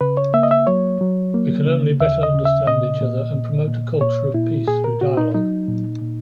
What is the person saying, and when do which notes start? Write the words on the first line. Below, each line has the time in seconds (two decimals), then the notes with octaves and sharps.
We can only better understand each other and promote a culture of peace through dialogue.
0.01 C#3 B4
0.17 C#5
0.34 A#3 E5
0.43 D#5
0.51 E5
0.67 F#3 C#5
1.01 F#3
1.34 A#3
1.67 C#3
2.00 D#2 E5
2.23 D#5
2.34 C#3
2.45 E5
2.67 A#2 D#5
3.01 A#2
3.34 A#2
3.68 A#2
4.01 A#2 C#5
4.34 A#2 E4
4.68 A#2 G#4
4.84 A#4
5.01 A#2 F#4
5.17 D#4
5.35 F#3 D#4
5.68 A#2
6.02 A#2